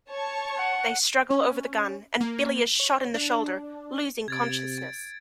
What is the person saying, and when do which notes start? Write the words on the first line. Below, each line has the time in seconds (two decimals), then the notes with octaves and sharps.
They struggle over the gun, and Billy is shot in the shoulder, losing consciousness.
0.10 C#5 A5 C#6
0.58 F#5
1.30 C#4
2.21 A#3
2.80 C#5
3.14 D4
4.28 C3 G#6 A6 D7